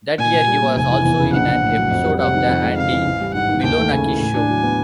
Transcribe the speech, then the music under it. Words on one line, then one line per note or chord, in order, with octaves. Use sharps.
That year, he was also in an episode of "The Andy Milonakis Show".
A#2 G#5
A#2
G3
A#3
F1 G#5
E3
E2
C#3
A#1 F#5
A#1
A2
F#3
F2
G3
C3 F#5
D#3
F2
G#3
C#3 F5
E3
A1
G3
G#2 F#5
D#3
D#2 G5
A3
C#3 G#5
E3
A2 G#5
D4
F#3
B3